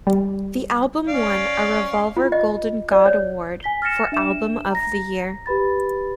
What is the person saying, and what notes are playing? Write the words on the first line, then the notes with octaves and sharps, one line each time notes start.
The album won a Revolver Golden God award for "Album of the Year".
G3
C#4 D5 F5
F4
D#5
D5
C#5
G#5 B6 G7
F6 A6 A#6 C#7 E7
D4 E5 E7
A#5 A#6
G4 B4 B5 A6